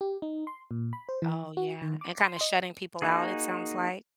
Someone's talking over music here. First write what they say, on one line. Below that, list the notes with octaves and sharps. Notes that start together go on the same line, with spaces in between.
Oh, yeah, and kinda shutting people out, it sounds like.
G4
D#4
C6
A#2
B5
C5
E3
F#4
D#3
D6
C6
D#5
A#3 D#4 F#4 G#4